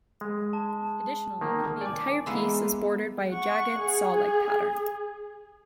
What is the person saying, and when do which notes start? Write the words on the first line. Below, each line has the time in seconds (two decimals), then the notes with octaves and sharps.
Additionally, the entire piece is bordered by a jagged saw-like pattern.
0.21 G#3
0.53 A5
1.41 D#3 A#3
1.81 D5 G#5 D6
2.26 E3 G#3 A#3 B3 E4
3.29 F#5 C#6
3.78 G#4